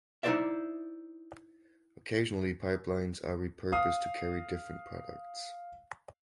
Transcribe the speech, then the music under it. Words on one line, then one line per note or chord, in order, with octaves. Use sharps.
Occasionally pipelines are repurposed to carry different products.
D#4 E4 G4 C5 D5 E5
F5 D#6